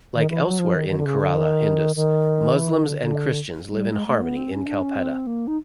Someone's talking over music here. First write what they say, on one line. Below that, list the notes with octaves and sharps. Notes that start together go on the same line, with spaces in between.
Like elsewhere in Kerala, Hindus, Muslims and Christians live in harmony in Kalpetta.
D#3
E3
F#3
F3
D#3
D#3
D3
C#3
D3
D#3
D#3
E3
D#3
D3
D3
G#3
G3
G#3
A3
B3
C4
C#4
D4
C#4
C4
A#3
D#4